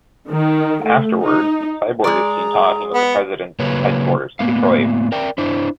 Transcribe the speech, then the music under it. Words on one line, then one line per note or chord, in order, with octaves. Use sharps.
Afterwards, Cyborg is seen talking with the President in his headquarters in Detroit.
D#3
A3
D#4
G#3 G#4 D5 A#5
B3 F#5
C#3 F#3 A#3 B4 C#5
A2 A#3 B3 F5
A#4 D5 G5
D4 E4 C5